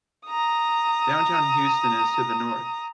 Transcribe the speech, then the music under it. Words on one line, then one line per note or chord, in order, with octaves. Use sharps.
Downtown Houston is to the north.
A#5 D#6